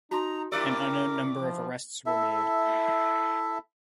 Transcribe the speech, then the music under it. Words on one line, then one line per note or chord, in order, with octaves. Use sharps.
An unknown number of arrests were made.
D#4 F#4 A5 A#5 C6
G2 E4 G4 A#4 D5 D6 E6 C#7
F3
E4 A4 E5